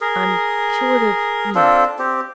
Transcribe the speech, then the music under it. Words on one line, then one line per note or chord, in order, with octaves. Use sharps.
I'm cured of--Nita.
G#4 A#4
C4 D4 F4 A4
C4 G4